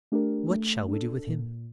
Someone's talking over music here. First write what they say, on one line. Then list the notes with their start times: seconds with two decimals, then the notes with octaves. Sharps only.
"What shall we do with him?"
0.12 A3 D4 G4 A#4
0.50 A3
0.88 D4 A4
1.27 A#2